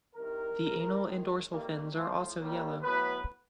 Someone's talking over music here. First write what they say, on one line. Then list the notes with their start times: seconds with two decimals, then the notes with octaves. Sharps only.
The anal and dorsal fins are also yellow.
0.14 C2 C3 D#3 G3 A#4
0.59 A2 E3 G#3
1.04 F#2 D#3 G#3
1.48 F2 C3 D#3 G3 A#3
1.93 A2 F3 A3
2.38 D#2 D#3 G3 A#3
2.82 A2 F#3 B3 B4